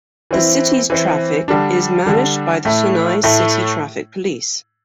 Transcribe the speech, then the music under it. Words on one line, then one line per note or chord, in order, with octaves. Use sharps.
The city's traffic is managed by the Chennai City Traffic Police.
E3 C4 E4
E3 C4 E4
D3 G3 D4
D3 G3 D4
A2 A3 E4
A2 A3 E4